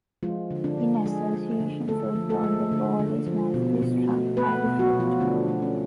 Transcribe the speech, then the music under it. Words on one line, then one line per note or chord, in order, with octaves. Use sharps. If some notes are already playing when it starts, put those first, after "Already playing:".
In association football, the ball is mostly struck by the foot.
F3 G#3 F4
D3
D3 D4
D3
F3 G#3 G#4
G#3
D3
D3 A3 A4
F3
A3 A4
G#3
D3
D3
F3
B2
B2
A3
A3 B3 B4
B2
F#3 F#4
B2
F3 F4
D3 A3 D4
A3
C#4